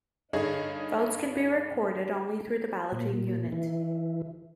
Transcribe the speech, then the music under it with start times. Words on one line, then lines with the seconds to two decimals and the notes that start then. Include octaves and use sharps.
Votes can be recorded only through the Balloting Unit.
0.33 G2 D3 D#4 G#4 C#5
2.92 A#2
3.52 E3